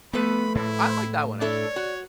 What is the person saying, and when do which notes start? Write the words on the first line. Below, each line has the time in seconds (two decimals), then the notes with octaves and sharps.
Ooh, I like that one, actually, I do enjoy that
0.13 F3 A3 B3 A4 B4 B5
0.55 A2 E4
1.41 D4 E4 A4 C#5 D5
1.76 F#4